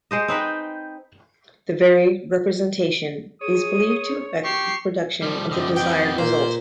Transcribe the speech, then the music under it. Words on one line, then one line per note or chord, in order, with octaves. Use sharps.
The very representation is believed to effect the production of the desired result.
G#3 C5 D#5
C4 D#4 B4 G5
G#4 C#5 D#6
G4 C#6 C7
F3 G3
F#2 D3 G4 D#5
F2 B3 G5
A#2 F4 C5 D5